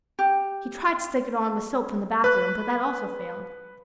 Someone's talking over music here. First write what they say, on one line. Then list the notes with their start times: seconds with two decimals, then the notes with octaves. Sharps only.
He tried to stick it on with soap from the bathroom, but that also failed.
0.19 G4
2.24 B4 F#6